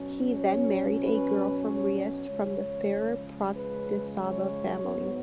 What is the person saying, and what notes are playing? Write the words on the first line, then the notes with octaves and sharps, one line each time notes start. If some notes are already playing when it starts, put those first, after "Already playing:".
He then married a girl from Reus from the Ferrer Pratdesaba family.
Already playing: B2 F#3 C#4
C#5
B4
C#5
C#5
C#3 F3 G#3 C#4
B4
C#5
G#2 F#3 B3